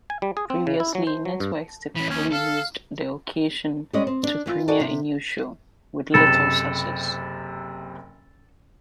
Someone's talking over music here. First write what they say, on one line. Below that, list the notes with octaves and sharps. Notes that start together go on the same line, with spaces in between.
Previously, networks typically used the occasion to premiere a new show, with little success.
G#5
G3
G#4
C4
C#3
E4
F#3
C5
F#3
G2
E3 C#4 B5
D#2 C#4
A4 F5
G3 G#3 C#4 D5 D#5
C4
D4
E3 F4
F#4 A4 D5 G#5
C3
F#1 C3 A4 B5